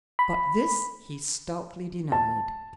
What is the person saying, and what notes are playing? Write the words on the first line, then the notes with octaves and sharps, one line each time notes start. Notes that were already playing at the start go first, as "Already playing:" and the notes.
But this he stoutly denied.
B5
A5